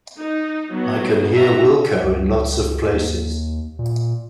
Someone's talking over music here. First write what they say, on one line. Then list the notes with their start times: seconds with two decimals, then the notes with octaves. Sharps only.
I can hear Wilko in lots of places.
0.15 D#4
0.70 F#3 B3
1.34 F#4 E5 A#5
2.03 C#2
2.85 D#2
3.79 A#2